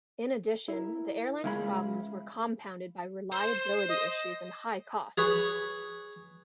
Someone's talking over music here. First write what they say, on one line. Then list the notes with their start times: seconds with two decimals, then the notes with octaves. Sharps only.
In addition, the airline's problems were compounded by reliability issues and high costs.
0.68 E4 A#4
1.44 C#2 G#3 E5 F5 B5
3.32 C5 C6
3.88 D#5
5.18 G#4 B4 C#5